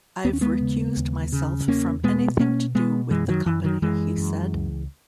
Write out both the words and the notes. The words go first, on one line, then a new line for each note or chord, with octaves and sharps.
"I've recused myself from anything to do with the company," he said.
D#2 B3
C#4
G#3 B3
C#3
D#2
C#3
E2 A#3 C#4
B2 G#3 B3
B2 A#3 C#4
B2 G#3 B3
F#2 E3 G#3
D#3 F#3
F#2 E3
D#3 F#3
F#2 E3 G#3
F#2
C#2